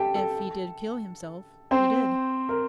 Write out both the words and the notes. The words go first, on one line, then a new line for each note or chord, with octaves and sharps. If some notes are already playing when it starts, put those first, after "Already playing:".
If he did kill himself, he did.'
Already playing: G4 A4 G5 A5
A4
C4 C5
A#4